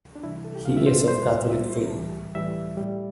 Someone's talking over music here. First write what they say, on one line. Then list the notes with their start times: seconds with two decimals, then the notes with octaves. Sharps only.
He is of Catholic faith.
0.16 D4
0.23 C3 E3 G3 E4
0.44 A4
0.55 G4
0.65 C3 E3 G3 F5
0.77 E5
0.87 C5
1.07 A#2 G3 C5
1.50 A#2 G3 E5
1.93 A2 E3 G3
2.35 A2 E3 G3 E5
2.77 A2 G3